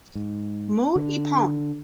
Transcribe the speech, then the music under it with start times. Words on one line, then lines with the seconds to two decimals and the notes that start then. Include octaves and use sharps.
Mou Ippon!
0.15 G#2
0.96 D3